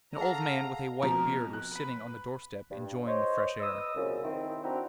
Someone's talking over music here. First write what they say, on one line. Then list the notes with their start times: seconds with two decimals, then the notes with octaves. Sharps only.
An old man with a white beard was sitting on the doorstep enjoying the fresh air.
0.17 G#4 A4 F5 F#5 A#5
1.02 B2 F3 C4 A#4
1.53 F#6
1.71 B4 B5
2.71 G2
3.08 C5 C#5 D#5
3.61 B4 D#5 D#6 E6
3.95 C2 F#2 A#2 C#3
4.23 D#3 C4 E4
4.64 C4 D4 E4 F#4 G5 A#5